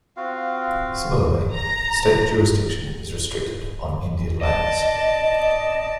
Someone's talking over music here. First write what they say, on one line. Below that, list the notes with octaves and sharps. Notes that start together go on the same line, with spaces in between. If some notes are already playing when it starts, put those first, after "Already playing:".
Similarly, State jurisdiction is restricted on Indian lands.
C4 F4 F#4 F5
A#5
D5 D#5 A5